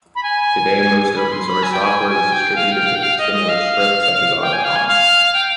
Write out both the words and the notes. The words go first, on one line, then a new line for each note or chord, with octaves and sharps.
Today, most open source software is distributed with a similar script, such as autoconf.
B5
G#5
B5
C6
B5
G#5
G5
G#5
G5
G#5
G5
F5
G5
F5
G5
F5
D#5
D#5
F5
G5
G#5
F5
G#5
F5
G5